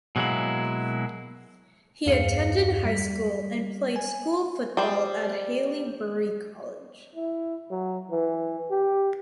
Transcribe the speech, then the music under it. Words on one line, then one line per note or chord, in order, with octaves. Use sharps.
He attended high school and played school football at Haileybury College.
B2 F#3 G#3 A#3 E4
E2 G2 G#4 F5 C#7
G3 B6
G#5
G3 C5
E4
F#3
E3
G4